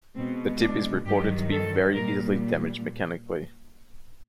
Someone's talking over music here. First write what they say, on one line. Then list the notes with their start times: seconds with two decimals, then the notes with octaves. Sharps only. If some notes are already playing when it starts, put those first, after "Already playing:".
The tip is reported to be very easily damaged mechanically.
0.16 B2 G#3 C4
0.60 D4
1.05 G2 D#3 F#3 G4
1.50 A4
1.95 A#2 G3 A#4